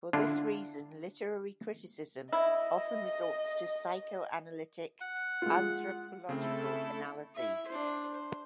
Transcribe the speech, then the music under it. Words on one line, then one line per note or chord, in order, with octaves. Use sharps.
For this reason literary criticism often resorts to psychoanalytic, anthropological analyses.
D3 D4 E4 F4
E4 D#5
F#5
G#3 F4
C#3 A3 C4 E4 A4
E4 E5
D4 C5
C5